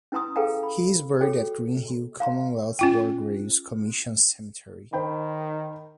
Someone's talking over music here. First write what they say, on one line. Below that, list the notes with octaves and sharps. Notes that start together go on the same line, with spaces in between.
He is buried at Green Hill Commonwealth War Graves Commission Cemetery.
C#4 E4 B4 A#5 C6 D#6
G#4 A4 B4 F5 G5 A#5
B5
F#4 G#4 A4 C#5 G5
F5 A#5 C6
C#4 F4 G5
D#3 C5 G5 B5